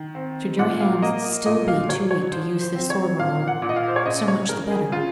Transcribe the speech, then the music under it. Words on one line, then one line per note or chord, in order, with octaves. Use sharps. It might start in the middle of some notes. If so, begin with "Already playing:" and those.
Should your hand still be too weak to use this sword, Raoul, so much the better.
Already playing: D#3
C4
A#2 F#5
F5
A#3 D#5
D#5
A#2 D#5
F5
F#3 C#5
C#5
F3 C5
C5
C4
C#5
A#2 F5
F#5
A#2
D#5
F5
C5
C#5
C#3 D#5
C#5
C#3 A#4
G#4
C#3 F4